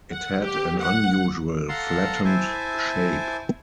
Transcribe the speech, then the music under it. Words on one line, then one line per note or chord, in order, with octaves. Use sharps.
It had an unusual, flattened shape.
F#5
G4
F#5
A4 F5 F#5 A5 A#5 C6
E4 C5 E5 G#5 A5